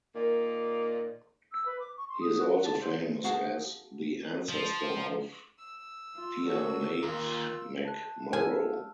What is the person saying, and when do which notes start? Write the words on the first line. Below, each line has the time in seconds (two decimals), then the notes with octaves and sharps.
He is also famous as the ancestor of Diarmait MacMurrough.
0.16 A#2 D#3 A#3
1.52 E6
1.65 B4
1.79 D6
1.97 C#6
2.08 C6
2.21 D#6
2.38 F#4
2.52 F#5
2.63 A5
2.80 C5
3.24 B3 F#4 G#4 F5 F#5 A5
4.49 F3
5.59 E6
6.16 F4
6.46 F#4 A4 A#4 C#5
7.03 D#2 F4 A#4
7.85 A5 F#6
8.33 G#5 E6 F6